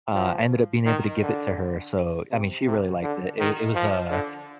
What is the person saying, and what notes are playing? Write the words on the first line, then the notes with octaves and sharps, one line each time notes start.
uh, I ended up being able to give it to her. So, I mean, she really liked it. It wa it was, uh
F3
D#3
D3
C3
C3
D3
D#3
F3
D3